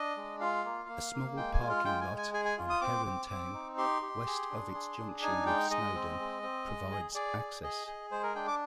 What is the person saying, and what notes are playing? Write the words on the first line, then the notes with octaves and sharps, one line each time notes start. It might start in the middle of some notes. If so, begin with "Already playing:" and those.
A small parking lot on Herrontown, west of its junction with Snowden, provides access.
Already playing: D4 D#5
G#3
F4 F5
A#3
A#3
A#3
G#3 G5
G#5
F4
F5
G#3 G5
G#5
G#3
G#5
G#4 G#5
G#5
F4
D#6
C4 D6
C4
C4
D#4
G4 C6
G4
G#4
D4
G#4
D4
D#4 G#5
G#3 G5
G#3 D#5
C4
G#3
C4
G#3
G#4
G#4 D5
G#4
G#4 D#5
G#4
G#3 C5
A#4
D4 G5
D6